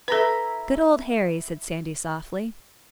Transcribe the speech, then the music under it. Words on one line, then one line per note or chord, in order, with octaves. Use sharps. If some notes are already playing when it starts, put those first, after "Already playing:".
'Good old Harry,' said Sandy softly.
E4 A4 B4 A#5 B5